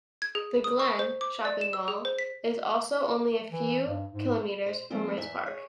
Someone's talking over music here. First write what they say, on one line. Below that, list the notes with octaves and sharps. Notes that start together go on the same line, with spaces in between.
"The Glen" Shopping Mall is also only a few Km from Rispark.
G#6
G#4
D#6
C#6
C5
D6
D5
E7
E6
G#4
C5
B6
E3
G2
G#2
C5
F3 G3 G#3 A#3 C4 F4
E2 E5
G#4 C#5